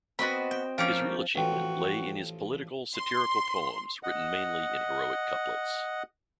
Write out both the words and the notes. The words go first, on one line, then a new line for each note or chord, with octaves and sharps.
His real achievement lay in his political, satirical poems, written mainly in heroic couplets.
B3 C4 F#4 D#5 B5
G5
F3 A#3 C#4 G5
A1 F3 F#4 B4 G5
C6
D#5 F#5